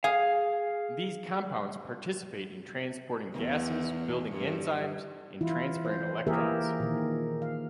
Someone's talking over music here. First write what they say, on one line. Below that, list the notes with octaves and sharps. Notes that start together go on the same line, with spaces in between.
These compounds participate in transporting gases, building enzymes, and transferring electrons.
G#4 F5
E2
G2
E3 E4 F4
C5
E3 A#3 G4 G#4 A#4 E5
A#2 D#3
F5